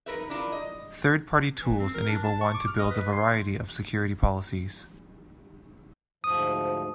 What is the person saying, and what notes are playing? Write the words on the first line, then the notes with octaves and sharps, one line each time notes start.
Third-party tools enable one to build a variety of security policies.
D#4 A#4 B4 E5
D4 E4 F4 A#4
D#5
E3
C4
A#4
D4
A5
C#6
D6
F6
D#5
B4
C6
D2 G#2 F3 D#6